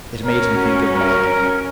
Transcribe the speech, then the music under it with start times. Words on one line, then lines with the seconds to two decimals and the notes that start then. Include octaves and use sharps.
It made him think of Maudie.
0.25 C#4 A#4
0.56 F#4
0.95 A#4